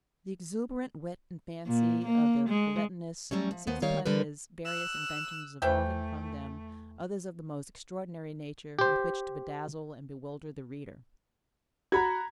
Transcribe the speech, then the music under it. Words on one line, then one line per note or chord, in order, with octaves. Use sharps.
The exuberant wit and fancy of the feuilletonists seized upon his various inventions evolving from them others of the most extraordinary nature with which to bedazzle and bewilder the reader.
A#2
A#3
G#3
F#3 G3 A3 C#4
F3
D#2 B3 C5
D#3 G3 C#5 F5
D3 G3 A#4 B4
E6 F#6
E2 E3 A3 C5 E5 G5
G4 C5
F#4 A#5 B5 G#6